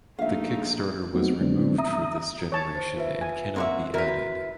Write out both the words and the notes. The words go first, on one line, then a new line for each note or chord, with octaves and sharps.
The kickstarter was removed for this generation and cannot be added.
A#1 A3 D#4 E5 F5
F#3 A3 B3 C4 D#4 F#4
D3 F#3 G#3 B3 C4 D4
E5 A#5 D#6
C#5 A5
C5
F4 B4 E5
G#5
A#3 C4 F#4 E5 C6
E4 F#4 A#4 B4